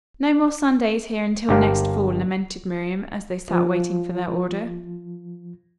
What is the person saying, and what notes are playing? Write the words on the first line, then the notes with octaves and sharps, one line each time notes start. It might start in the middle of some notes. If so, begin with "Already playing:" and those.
"No more sundaes here until next fall," lamented Miriam, as they sat waiting for their order.
G1 D4 G4 A#4 F5 G5
F3 F4